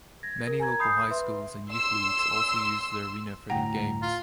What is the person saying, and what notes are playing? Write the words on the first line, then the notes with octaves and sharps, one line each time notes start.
Many local high schools and youth leagues also use the arena for their games.
G#6 A#6
A#4
G#5 A#5 G#6
B5 D#6 G6 C7
B4 E5 C6
C6 E6
D2 A2 F#5 G5 A#5
F4